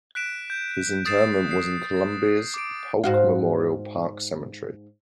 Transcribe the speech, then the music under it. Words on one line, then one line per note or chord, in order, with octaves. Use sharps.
His interment was in Columbia's Polk Memorial Park Cemetery.
F#6 B6 D7 E7
G6
D#6 A6 C7 E7
C7
A6
D6 D7
G#2 F#4 F5